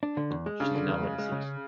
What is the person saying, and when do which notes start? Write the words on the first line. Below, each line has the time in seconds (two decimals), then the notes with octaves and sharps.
She did not win a seat.
0.03 D4
0.17 D3
0.31 E2
0.46 G#3
0.60 C#3 D4
0.75 D3
0.89 E2
1.03 G#3
1.19 G#3
1.32 C#3